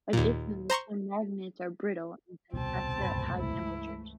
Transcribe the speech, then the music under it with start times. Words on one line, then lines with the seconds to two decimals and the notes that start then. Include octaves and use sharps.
Additionally, some magnets are brittle and can fracture at high temperatures.
0.13 D#2 A#2
0.70 C5 A#5 C6 C#6
2.54 D#1 C2 B2 C4 A5
3.02 C#2 G2 E3 A3 C5 B5
3.37 E4